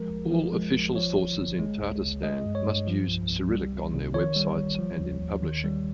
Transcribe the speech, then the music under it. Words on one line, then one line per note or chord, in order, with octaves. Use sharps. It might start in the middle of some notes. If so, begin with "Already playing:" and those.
All official sources in Tatarstan must use Cyrillic on their websites and in publishing.
Already playing: F3 G#3 A#4
A#1
F3
G#3
A#1
F3 C#5
G1
G1
G#3
C#2
C#2
G#3 D#5
G2
C#5
G2
F3
C2
C2
G3
C2
C2
D#3 C#5
G3
G1
F3
D#2
D#2
D#3
G3